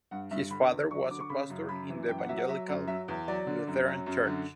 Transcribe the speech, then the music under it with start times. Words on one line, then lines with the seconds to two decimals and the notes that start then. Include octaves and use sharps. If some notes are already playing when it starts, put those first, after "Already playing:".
His father was a pastor in the Evangelical Lutheran Church.
0.11 G2 F#5
0.31 G2 E5
0.50 D3 B5
0.71 E2
0.91 F#3 C#6
1.09 D3 D6
1.20 C#6
1.29 C#3 B5
1.50 F#2
1.69 F#2 B5
1.89 E3
2.08 F#2 G5
2.18 F#5
2.29 F#3 E5
2.38 F#5
2.48 F#3 E5
2.68 F#2
2.87 F#3 E5
3.08 E2
3.28 F#3 D5
3.47 D3
3.67 F#2
3.87 F#3
4.06 F#2
4.27 D3